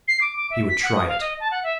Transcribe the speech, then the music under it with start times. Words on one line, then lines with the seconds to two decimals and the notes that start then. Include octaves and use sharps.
He would try it.
0.08 C7
0.21 D6
0.36 D6
0.50 E5
0.68 B6
0.83 F#5
0.95 D#6
1.08 F5
1.20 D#5
1.40 A5
1.51 F#5
1.64 E5